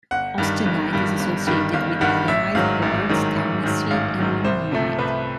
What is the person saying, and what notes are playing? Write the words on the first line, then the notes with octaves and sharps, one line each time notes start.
Austinite is associated with adamite, quartz, talmessite and limonite.
G1 F#5
G2 D#3 G3
G1
G2 D#3 G3
G1
G2 D#3 G3
G1 F5
G2 D#3 G3 F#5
A1 E5
G#2 D#3 F#3 F5
A1
G#2 D#3 F#3
A1
G#2 D#3 F#3
A1 F5
G#2 D#3 F#3
C2 C5
C3 F3 A3
C2 B4